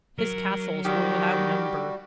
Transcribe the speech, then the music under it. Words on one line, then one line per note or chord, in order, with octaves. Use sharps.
His castles were without number.
F#3 A#4
D#3 G3 F#4 G4